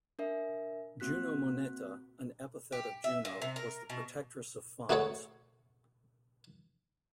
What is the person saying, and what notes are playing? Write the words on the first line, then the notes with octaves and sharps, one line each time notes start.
Juno Moneta, an epithet of Juno, was the protectress of funds.
D4 A#4 E5
A#3 C4 F#4 F#6 B6
G4
E5
A#2
C3
A#4
B2
A3 F#4 G#4 A4 C#5